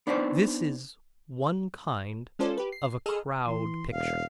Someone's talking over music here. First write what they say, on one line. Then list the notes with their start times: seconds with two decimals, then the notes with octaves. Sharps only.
This is one kind of a Crowd Picture.
0.07 B3 D4 D#4 C5 D5
2.39 G#3 C#4 F4 A4 C5 D5
2.58 G4 B4
2.72 C7
3.06 G#4 A4 D#5 E6 F6
3.47 E3 C6
3.91 E1 F5